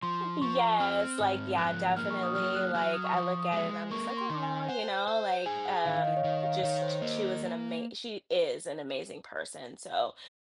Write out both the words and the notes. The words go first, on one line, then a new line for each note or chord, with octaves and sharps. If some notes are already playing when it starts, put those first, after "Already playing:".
Yes, like, yeah, definitely, like, I look at it and I'm just like, "Aw," you know, like, um, just she was an ama she is an amazing person, so,
F3 C6
F3 C#6
C4 F6
G#2
F3 F#6
A#3 F6
C#6
D#6
F#3 F6
F#6
F#3 F6
D#6
C#6
F3 D#6
D#6
G#3
A#3 C#6
C6
D#3
G#5
C5 F#5
C5
G#4 G#5
F#5
D#3 F5
F5
D#5
C#5
D#3 D#5
F5
D#3 C#5
C5
A#3 D#5